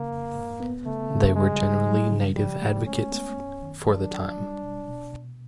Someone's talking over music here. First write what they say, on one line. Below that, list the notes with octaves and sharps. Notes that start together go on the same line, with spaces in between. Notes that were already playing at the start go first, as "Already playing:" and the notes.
They were generally Native advocates for the time.
Already playing: C#3 A#3
F2
G#2
B3
C#3 A3
C#3
G3 G#3
G3
F#3
C#3
F3 G3
A3
G#3 C#4
B3
F#2
D#3
F#3 D4
F#3
G3
B2
B2
B2